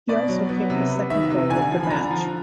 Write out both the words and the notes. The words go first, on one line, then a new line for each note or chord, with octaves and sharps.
He also kicked the second goal of the match.
B2 D5
F#3
B3
C3
B3
D#3 E5
C3
D3 G#5
F3
B5
D3 A#5
F3